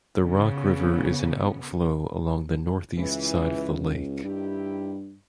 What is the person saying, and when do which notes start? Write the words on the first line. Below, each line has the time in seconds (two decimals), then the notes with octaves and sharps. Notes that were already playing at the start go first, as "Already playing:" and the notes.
The Rock River is an out flow along the northeast side of the lake.
0.21 C#3 B3
2.98 C#2 E3
4.24 G2 D#3 E4 G4